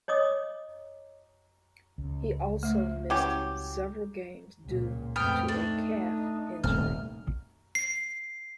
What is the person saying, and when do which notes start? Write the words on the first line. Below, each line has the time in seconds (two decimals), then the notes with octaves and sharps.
He also missed several games due to a calf injury.
0.08 C#5 D#5 D6 D#6
1.98 C#2
2.63 A3 E5
3.10 F#3 C#4 E4 G4
4.65 C#2 A#2
5.16 F2 G#2 A3 B3 G5 F6
5.48 D4 D#4
6.64 D#1 C2 A3 F6
7.75 C7